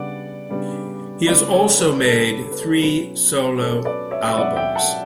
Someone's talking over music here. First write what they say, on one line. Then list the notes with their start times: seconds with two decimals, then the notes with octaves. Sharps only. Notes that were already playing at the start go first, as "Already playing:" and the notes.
He has also made three solo albums.
Already playing: C#3 G3 B3 D4 D5 F#5
0.50 C#3 G3 B3 D4
1.27 C#3 G3 B3 D4 B4 D5
1.53 A4 C#5
1.79 B4
2.04 C#3 G3 B3 D4 A4
2.43 A4
2.51 B4
2.59 A4
2.82 B2 F#3 C#4 B4
3.59 B2 F#3 C#4 A4 C#5
3.85 B4 D5
4.11 C#5 E5
4.28 E5
4.37 B2 F#3 C#4 D5 F#5
4.56 E5 G5
4.75 F#5 A5